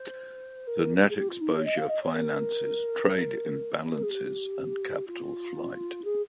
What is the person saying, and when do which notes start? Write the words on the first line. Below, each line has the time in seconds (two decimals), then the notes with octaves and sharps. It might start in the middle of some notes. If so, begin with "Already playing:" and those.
The net exposure finances trade imbalances and capital flight.
Already playing: C5
0.67 A#4
1.09 G#4
1.16 G4
1.28 F4
1.40 D#4
1.53 C#5
1.65 D#5
1.77 F5
1.89 D#5
2.02 C#5
2.14 A#4
3.95 A#4
4.02 G#4
4.10 G4
5.07 F4
6.04 G#4